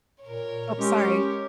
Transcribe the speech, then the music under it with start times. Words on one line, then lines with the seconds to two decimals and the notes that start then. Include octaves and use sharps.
Ope sorry.
0.23 A#2 A#4 C#5
0.79 G#3 C#4 G4